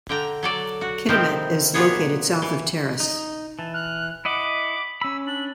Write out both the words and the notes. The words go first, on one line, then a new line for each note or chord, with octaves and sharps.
Kitimat is located south of Terrace.
D3 G5 A#5
F#3 A4 D5
F#4
C3 D#3 F3 C4 E4
A#2 B3 G#4 C#5
E3
D#4
E3 A5
F6 F#6
E4 D#5 F#5 B5 D6
C#4 B5 E6
D4 F#7